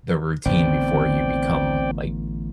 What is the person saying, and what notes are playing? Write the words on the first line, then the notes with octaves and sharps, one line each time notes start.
the routine before you become, like,
A1 D3 B3 C4 D5 G5